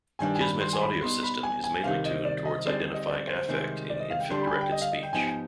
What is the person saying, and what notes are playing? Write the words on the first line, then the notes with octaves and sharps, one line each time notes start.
Kismet's audio system is mainly tuned towards identifying affect in infant-directed speech.
G2 D#3 G3 D4 G#5
G#5
B5
C6
G#5
B5
B2 G3 B3 D#4 C6
B5
G#5
G#5
C2 C3 D#3 F5
D#5
D5
D#5
D3 G3 C4 D#4 G#4 D5
D#5
D5
C5
C2 C3 D#3 G#3 C4
D5
D#5
F5
G5
D3 G3 D4 G4 C6
B5
G#5
B5
G5
D#5
F5
D#5
G5
G#2 F3 B3 D#4 G4 G#5
G#5